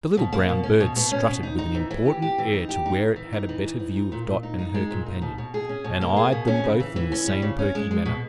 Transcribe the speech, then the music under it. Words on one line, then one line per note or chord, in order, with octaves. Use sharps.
The little brown bird strutted with an important air to where it had a better view of Dot and her companion, and eyed them both in the same perky manner.
B2
A#3
B2
C#4
B2
B2
C#4
B2
D#4
D#4
E3
E3
G4
G4
E3
D#4
G4
D#4
D#4
E3
D#4
E3
D#4
E3
D#4
A#2
A#2
D#4
D#4
G#3
A#2
D#4
B2
B2
G#4
C#4
B2
A#3
G#4
B2
C#4
C#3
E3
E3
C#4
G3
C#3
C#4
G#3
G#3
B2